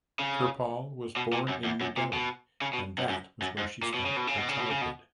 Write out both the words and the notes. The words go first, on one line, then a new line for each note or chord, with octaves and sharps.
Kirpal was born in New Delhi and that was where she spent her childhood.
C#3
B2
A#2
F#2
E2
F#2
A#2
B2
C#3
B2
F#2
F#2
F#2
G#2
A#2
B2
C#3
B2
C#3
B2
C#3
B2
C#3
B2